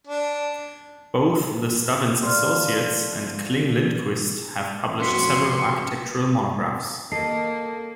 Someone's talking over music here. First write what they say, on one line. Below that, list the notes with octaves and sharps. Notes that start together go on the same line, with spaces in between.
Both The Stubbins Associates and Kling-Lindquist have published several architectural monographs.
D4
D3 F3 F4 C6 F6
F2 G#2 C#4 F#4 B4 C6 C#6 B6
A#3 A4 D#5 C7